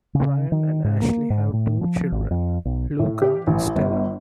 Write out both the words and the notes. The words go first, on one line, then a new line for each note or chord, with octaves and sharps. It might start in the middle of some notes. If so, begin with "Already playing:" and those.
Ryan and Ashley have two children, Luca and Stella.
C#3
D#3
G#2
A#3
G#2
A2
F3
G#1
F2
B1
A2
G4
A1
G1